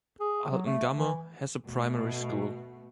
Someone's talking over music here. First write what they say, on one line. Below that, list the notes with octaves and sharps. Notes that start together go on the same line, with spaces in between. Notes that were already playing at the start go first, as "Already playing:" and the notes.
Altengamme has a primary school.
G#4
F#3
A3
E3
B2 A3